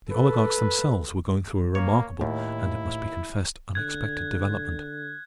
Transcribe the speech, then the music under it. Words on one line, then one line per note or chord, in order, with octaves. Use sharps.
The oligarchs themselves were going through a remarkable and, it must be confessed, unexpected development.
A4 B4
A#3 C#5
D#2 A2 E4
D3 F#6 G#6